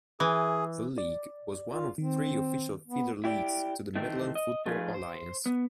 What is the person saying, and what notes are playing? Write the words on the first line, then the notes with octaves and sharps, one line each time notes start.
The league was one of three official feeder leagues to the Midland Football Alliance.
E3 G#4
D5
F4
D#3 C4
B3
E4 G4 D5
D#3 E3 A3 C4 D#4
D#5
F3 A3 D#4 F4 G#4 B4
C5
B3